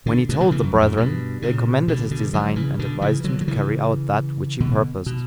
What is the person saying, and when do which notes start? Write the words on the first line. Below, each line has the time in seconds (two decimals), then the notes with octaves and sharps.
When he told the brethren, they commended his design, and advised him to carry out that which he purposed.
0.06 B2 D3
0.29 G2 B2
0.40 B2 D3
0.51 C#3 E3
0.63 F#2
0.75 E2
0.86 F#2 A#2
0.97 G2 B2
1.42 A#2 C#3
1.88 B2 D3
2.11 B2 D3
2.34 D3 F#3
2.56 C#3 E3
2.79 B2 D3
3.01 C#3 E3
3.24 D3 F#3
3.41 F#3
3.48 C#3 E3
4.60 B2 D3
5.06 B2